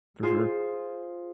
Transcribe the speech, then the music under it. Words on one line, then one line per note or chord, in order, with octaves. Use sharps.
For sure.
F4 G#4 C5